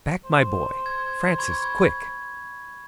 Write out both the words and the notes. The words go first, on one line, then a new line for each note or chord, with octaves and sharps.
"Back, my boy! Francis, quick!"
C5
G#6
B5 C#6 G#6